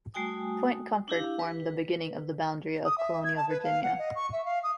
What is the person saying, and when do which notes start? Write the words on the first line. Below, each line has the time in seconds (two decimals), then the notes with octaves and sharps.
Point Comfort formed the beginning of the boundary of colonial Virginia.
0.14 G3 A3 F#4 G5 G#5 D#6
1.08 D4 E4 G4 F5
1.39 B4
2.85 D#6
2.98 E5
3.24 G#6
3.36 A5
3.49 B4
3.64 F5
3.83 F#5
3.99 D#5
4.16 C#6
4.33 E5
4.45 F5
4.63 D#6